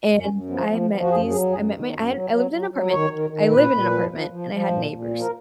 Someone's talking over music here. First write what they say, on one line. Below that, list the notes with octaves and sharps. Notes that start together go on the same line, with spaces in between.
and I met these I met my I had I lived in an apartment I live in an apartment and I had neighbors,
F#2
C#4
F#2
F3 B3
F3 B3
F3 B3
F#4
F#2 G#4
F#3 G#4
F#2 G#4
D#3
F#2
F#3
F#3
F#3
F#3
D#3 C#5
D#3
D#3
A#2 B4
A#2
F3
F3
F3
F3
A#2
A#2
F3
A#4